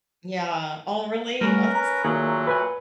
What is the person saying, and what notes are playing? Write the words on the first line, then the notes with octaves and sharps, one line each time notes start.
Yeah, oh, really? Oh, tiss
G3 A3 C#4 A#4 B4
A#5
A#2 D#3 F#3 A3 A#3 G#4
B4 G#5